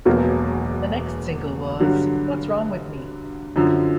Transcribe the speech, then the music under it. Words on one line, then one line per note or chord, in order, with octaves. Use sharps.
The next single was "What's Wrong With Me".
E1 E2 B2 F#3 A#3
G2 D3 F#3
F#2 D3 F3